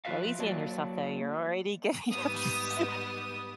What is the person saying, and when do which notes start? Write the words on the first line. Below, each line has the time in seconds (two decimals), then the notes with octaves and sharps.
Go easy on yourself, though, you're already getting up s
0.05 F3 F4 B4 E5 F5
0.39 F#3 A#3 D5 A5
2.10 G#2 G3 B3 D#6